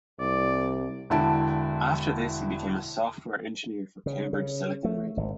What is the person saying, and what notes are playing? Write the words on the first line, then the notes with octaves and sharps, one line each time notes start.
After this he became a software engineer for Cambridge Silicon Radio.
C2 D5
E1 D3 E4 A5 D7
C#3
C#3
A3
G#1